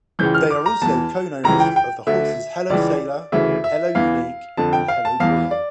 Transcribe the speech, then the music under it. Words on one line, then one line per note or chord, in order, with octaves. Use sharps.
They are also co-owners of the horses Hello Sailor, Hello Unique and Hello Boyo.
C#2 C#3 E3 G6
F6
D6
A#5
E2 E3 A5
C#2 C#3 E3 A#5
G5
G5
D2 D3 E5
C#2 C#3 E3 D5
D2 C#3 E3 E5
E5
E2 E3 F5
F2 D3 A5
G5
F5
A5
E2 E3 F5
D5